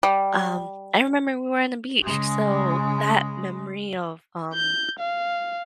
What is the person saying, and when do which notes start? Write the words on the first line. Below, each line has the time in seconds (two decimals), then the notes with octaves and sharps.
um, I remember we were on the beach, so that memory of, um,
0.03 G3
2.02 C#3 G#3
4.54 G6
4.99 F5